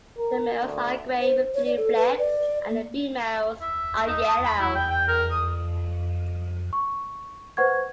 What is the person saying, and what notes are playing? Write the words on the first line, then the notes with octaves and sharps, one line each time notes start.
The males are gray with blue flecks, and the females are yellow.
A#4
D2
C5
C#5
D5
A4
B4
D5
A#3
E5
D#4
D#6
B5
E4
G5
G5
A#4
D#6
C#6
B4 C5 F#5 C#6 G#6